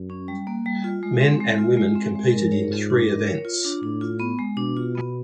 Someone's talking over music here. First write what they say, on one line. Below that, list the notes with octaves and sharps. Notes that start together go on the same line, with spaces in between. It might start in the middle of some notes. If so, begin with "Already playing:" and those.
Men and women competed in three events.
Already playing: F#2
C#4
G3
A#3
G3
F4
G#3
C4
G#3
F4
G#3
C4
G#3
G#2 A#4
C#5
F4
D4
A#4
C#5
F4
D4
A2 D4
F4
B3
G#3
B2 D4
F4
B3